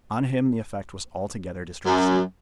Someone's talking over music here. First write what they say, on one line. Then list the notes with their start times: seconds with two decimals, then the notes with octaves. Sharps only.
On him the effect was altogether distressing.
1.86 F#2